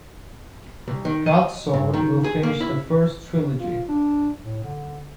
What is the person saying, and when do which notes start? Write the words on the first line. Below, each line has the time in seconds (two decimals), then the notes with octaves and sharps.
God-Sword will finish the first trilogy.
0.88 C2
1.05 D#3
1.26 D#5
1.73 G2
1.94 D#3
2.24 G#4
2.43 A#3
2.61 E4
3.59 F4
3.89 D4
4.43 A2
4.64 D3